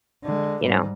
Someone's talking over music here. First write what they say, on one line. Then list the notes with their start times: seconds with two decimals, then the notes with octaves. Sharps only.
you know.
0.23 D3 G#3
0.60 G#2 G3